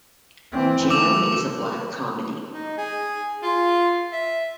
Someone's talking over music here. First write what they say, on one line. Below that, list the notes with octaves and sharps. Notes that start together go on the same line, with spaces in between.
"Jam" is a black comedy.
E3 C4
A3 D6 E6 F7
D#4
G#4
F4
E5